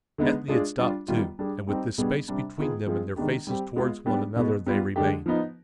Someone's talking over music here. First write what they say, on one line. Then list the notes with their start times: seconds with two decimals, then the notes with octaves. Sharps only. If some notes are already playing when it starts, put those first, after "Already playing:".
Ethne had stopped, too, and with this space between them and their faces towards one another they remained.
0.18 D3 G#3 B3 D#4
0.48 G#3 D4 F4 G#4
0.79 G3 D4 F4
1.08 D#3 G3 B3 F4
1.39 G3 D4 G#4
1.67 G3 C4 D#4 G4
1.98 B2 G3 B3 D4 G#4
2.28 C3 G3 D4
2.58 D#3 B3 F4 G#4
2.86 F3 G#3 C4 F4 G#4
3.16 D#3 G#3 B3 D4 G4
3.47 G3 C4 G4
3.76 G#3 B3 F4 G#4
4.06 G3 B3 D4 G4
4.36 B2 G#3 B3
4.66 G3 B3 F4
4.96 D3 G#3 D4 G4
5.26 F3 B3 D#4